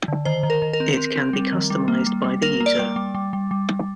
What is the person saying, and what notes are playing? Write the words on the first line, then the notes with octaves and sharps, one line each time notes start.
It can be customized by the user.
D3
D#3 C5
D#3
A#4
D#3
A#4
C4
C4
C4
G3
D#3
G3
A#3
G3
G3
A#3 A#4
A#3
D5
G3
G3
G3
G3
G3
G3